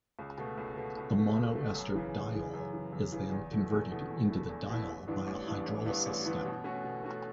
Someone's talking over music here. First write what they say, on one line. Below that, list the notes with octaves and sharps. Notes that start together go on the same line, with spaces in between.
The mono-ester diol is then converted into the diol by a hydrolysis step.
C#2
B2 A3
C#2
B2 A3
C#2
B2 A3
C#2
B2 A3
F#2
C#3 E3
F#2
C#3 E3
F#2
C#3 E3
F#2
C#3 E3
E2
B2 A3 E4
E2
B2 A3 E4
E2
B2 A3 E4
E2
B2 A3 E4
A1
G2 E3 B3 D4
A1
G2 E3 B3 D4
A1
G2 E3 B3 D4
A1
G2 E3 B3 D4
B2
A3 C#4 F#4 A4
B2
A3 C#4 F#4 A4